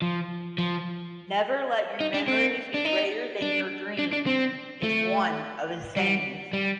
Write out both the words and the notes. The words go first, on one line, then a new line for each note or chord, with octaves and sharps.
"Never let your memories be greater than your dreams" is one of his sayings.
F3
F3
D#4
D4
C4
D4
D#4
D4
D4
D4
C4
A3
G3
G3